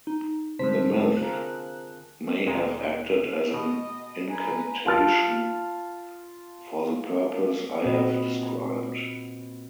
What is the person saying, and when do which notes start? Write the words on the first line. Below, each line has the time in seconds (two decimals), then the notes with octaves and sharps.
The myth may have acted as an incantation for the purpose I have described.
0.07 D#4
0.59 G#2 D3 G3 C4 C5 A5 B6
1.17 F4 G#4 A#4 F#6
2.46 D2 A#2 G#3
3.54 B2 D#5
4.29 B4 G#5 A#5
4.86 F4 A5 F6 A6
7.83 A#2 C4 F#4 B4 D#5